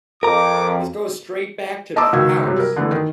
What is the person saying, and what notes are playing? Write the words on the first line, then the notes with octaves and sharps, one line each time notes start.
This goes straight back to the house!
F2 A#4 A#5 D6
D#5 A5 A#5 C6 D6 E6
C#2 D#3 F#4 E6 G#6
C3 F#3 G3
A#4
D3 E3 A3
D#3